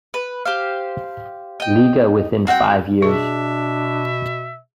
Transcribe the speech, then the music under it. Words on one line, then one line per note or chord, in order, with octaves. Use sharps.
Liga within five years.
B4
G4 C5 F5
D#5 G5
C4 F#4 F#5 G5
B2 D4 G#4 E5